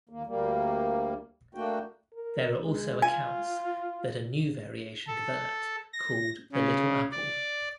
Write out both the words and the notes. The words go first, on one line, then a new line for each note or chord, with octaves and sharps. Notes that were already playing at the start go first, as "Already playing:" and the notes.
There are also accounts that a new variation developed called the Little Apple.
D#2 A#3
D2 G3 A#3
A3 A#3 D4 F#4 G5
A#4
G#3
F4 G#5
A4
A#6
C#3
D5